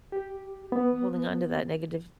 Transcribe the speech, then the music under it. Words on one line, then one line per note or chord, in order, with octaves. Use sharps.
Holding on to that negative,
G4
B3